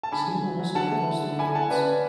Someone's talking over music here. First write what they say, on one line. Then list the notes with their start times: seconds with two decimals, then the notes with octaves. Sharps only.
See also Apostolates.
0.03 A5
0.12 D3 G#5 B5
0.28 D3
0.43 F#3
0.59 F#3
0.75 D3 F#5 A5
0.91 A3
1.07 E4
1.23 D3
1.39 E4 G#5 B5
1.55 E4 F#5 A5
1.70 C#3 B4 D5
1.87 C#4